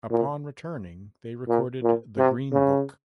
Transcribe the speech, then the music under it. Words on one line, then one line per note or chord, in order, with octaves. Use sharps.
Upon returning they recorded "The Green Book".
A#2
A#2
A#2
C3
C#3